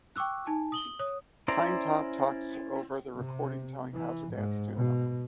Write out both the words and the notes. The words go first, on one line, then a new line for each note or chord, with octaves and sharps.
Pine Top talks over the recording, telling how to dance to the number.
G5 C#6 D6 E6 F#6
D#4 G#5 A5
D#6 F#7 G7
C#5 D#6
C#4 E4 C5 D5 A#5
C3
E3
G#2
B2